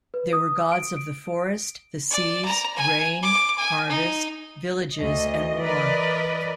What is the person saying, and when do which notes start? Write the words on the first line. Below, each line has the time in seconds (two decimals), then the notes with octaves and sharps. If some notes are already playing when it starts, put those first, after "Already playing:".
There were gods of the forest, the seas, rain, harvest, villages and war.
0.14 B4
0.33 D#6
0.72 D7
0.97 D7
2.11 D5
2.45 A#5
2.76 G#5
3.22 D6
3.58 G#5
3.89 D#4
4.95 D2 D#5
5.61 E3 A#4 B4 D5 D#5